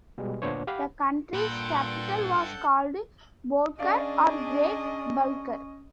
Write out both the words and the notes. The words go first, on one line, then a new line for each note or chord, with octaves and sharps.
The country's capital was called Bolghar or Great "Bulgar".
B2 G3 G#3
D2 A#2 B3 D4 C5 C#5
G4 F5 F#5 B5
G2 A#2 A4 F#5 B5 C6 G6
C#4 D4 G#4 D5 D#5 F5